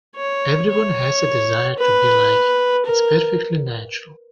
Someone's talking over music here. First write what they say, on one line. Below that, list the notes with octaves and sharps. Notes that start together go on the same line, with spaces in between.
Everyone has a desire to be liked, it's perfectly natural.
C#5
C#5
B4
A#4